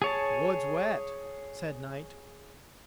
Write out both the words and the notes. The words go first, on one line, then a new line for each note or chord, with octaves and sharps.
"The wood's wet," said Knight.
G#4 C#5 A5